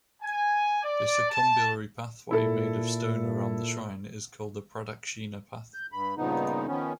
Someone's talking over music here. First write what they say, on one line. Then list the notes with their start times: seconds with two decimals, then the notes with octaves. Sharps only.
The circumbulary pathway made of stone around the shrine is called the Pradakshina path.
0.22 G#5
0.83 D5
1.29 A5
2.31 A#2 E4 A4
5.74 G6
5.92 G2 B5
6.17 G2 A#2 C#3 F3 B3 D#4
6.67 D#3 F3 B3 C#4